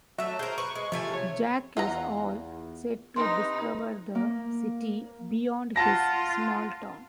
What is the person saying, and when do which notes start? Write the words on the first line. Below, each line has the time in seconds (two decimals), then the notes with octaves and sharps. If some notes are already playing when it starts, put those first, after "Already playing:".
Jack is all set to discover the city beyond his small town.
0.18 F#3 A3 E5
0.39 G#4 A#4 C5
0.58 B4 C#6
0.75 G#3
0.92 C3 F3 A3 G#5
1.13 C#5
1.77 E2 F4 F#5 A#5
3.16 C3 D#4 B4 C6
4.15 A#3
5.76 F4 F#5 A5 A#6